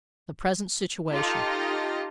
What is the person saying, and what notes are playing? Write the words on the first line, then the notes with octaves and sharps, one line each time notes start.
The Present Situation.
D#4 F4 G4 A4 D#5